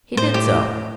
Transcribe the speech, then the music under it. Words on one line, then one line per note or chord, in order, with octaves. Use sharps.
He did so.
A2 C5
G4